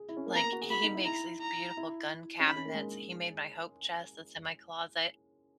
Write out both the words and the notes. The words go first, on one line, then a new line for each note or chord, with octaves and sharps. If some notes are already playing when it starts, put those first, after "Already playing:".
like, he he makes these beautiful gun cabinets, he made my hope chest that's in my closet.
Already playing: G#4
E4
C#4
A#3
B3 A#5
A#3
F#4
G#4
F#4 B5
D#4
E4
E4 A#5
A#5
E4
C#4
D#4 B5
C#4
A#3
G#3